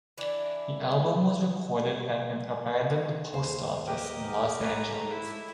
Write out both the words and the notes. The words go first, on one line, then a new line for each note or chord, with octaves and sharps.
The album was recorded at an abandoned post office in Los Angeles.
E3 D4 E4 D5
D#2 C5
G4 A#4 B4 D#5 G5
A3 B4 C#5 D#5 G#5 A#5
E4